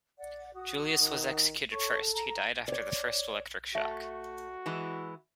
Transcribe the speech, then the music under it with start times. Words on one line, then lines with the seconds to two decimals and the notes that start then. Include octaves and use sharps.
Julius was executed first; he died after the first electric shock.
0.18 D5 F#5
0.55 F#4 D#6
1.00 D#3
1.73 A4 C#5 C#6
2.13 A#5
2.68 C#5 D5
3.75 A3 F#4 E5
4.66 E3 G#3 E4